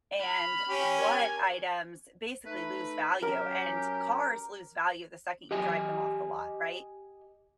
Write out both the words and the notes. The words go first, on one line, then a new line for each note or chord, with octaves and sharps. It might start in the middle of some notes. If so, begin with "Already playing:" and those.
and what items, basically, lose value, and cars lose value the second you drive them off the lot, right?
B5 F6
C#4 G4
A#4 G#5
A3 D#4 B4
F#3 C#4 G4 A#4
G4 D#5 G#5